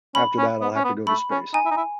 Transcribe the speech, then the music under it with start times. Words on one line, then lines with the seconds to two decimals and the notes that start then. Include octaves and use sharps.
After that, I'll have to go to space.
0.15 C#4 B5
0.38 C#4
0.61 B3
0.76 C#4
0.84 B3
1.07 A3 B5
1.31 C#4
1.54 D#4 G#5
1.65 E4
1.71 D#4
1.77 E4